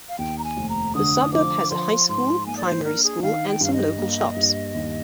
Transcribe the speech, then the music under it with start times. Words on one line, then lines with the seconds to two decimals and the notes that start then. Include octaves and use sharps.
The suburb has a high school, primary school and some local shops.
0.09 F5
0.18 D#2 G5
0.38 A#5
0.44 G#5
0.57 F1
0.69 A#5
0.95 D3 D#6
1.32 F3 D6
1.70 F3 C6
2.09 G#2 C6
2.46 A#3 G#5
2.57 D5
2.65 C5
2.84 D4 A#4
3.03 G#4
3.22 D#3 F5
3.48 G5
3.61 G2 F5
3.73 D#5
3.98 A#3
4.36 G2
4.74 D#2